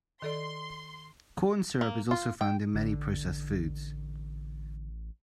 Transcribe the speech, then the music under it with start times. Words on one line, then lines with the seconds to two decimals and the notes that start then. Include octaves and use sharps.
Corn syrup is also found in many processed foods.
0.22 D#3 A4 D5 C6
1.81 A#3
2.11 F4
2.41 G5
2.75 A1 D3